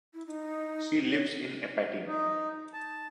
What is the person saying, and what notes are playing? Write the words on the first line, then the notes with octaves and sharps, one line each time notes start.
She lives in Apatin.
E4
D#4
C#5
D#4
A5